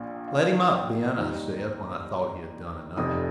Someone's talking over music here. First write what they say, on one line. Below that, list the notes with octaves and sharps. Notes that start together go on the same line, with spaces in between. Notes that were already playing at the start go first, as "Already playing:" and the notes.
"Let him up, Ben," I said, when I thought he had done enough.
Already playing: A#1 A#2 A#3 F5
F5
G5
D#2 D#3 G3 D#4
F1 F2 C3 D#6